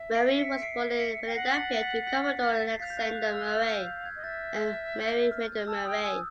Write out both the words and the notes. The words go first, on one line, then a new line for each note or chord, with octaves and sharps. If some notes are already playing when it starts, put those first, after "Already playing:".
Murray was born in Philadelphia, to Commodore Alexander Murray and Mary Miller Murray.
Already playing: E5
C7 D7
B6 C#7
C7 D7
B6 C#7
G5
F#5 A#6 C7
A6 B6
A6 B6
A6 B6
A6 B6
C7
F5 A6 B6
G6
F#6
F#6
E6
F6
G6
G6
F#6 G#6
D#5
E5 G6 A6
G6
F6
A5 E6
G#5
G5 D#6
G#5 E6